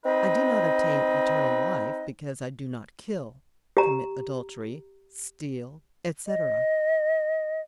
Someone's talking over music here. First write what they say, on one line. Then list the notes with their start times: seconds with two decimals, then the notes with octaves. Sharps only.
I do not obtain eternal life because I do not kill, commit adultery, steal, etc.
0.04 C4 D#4 B4 D#5
3.77 G4 A#5
6.27 D#5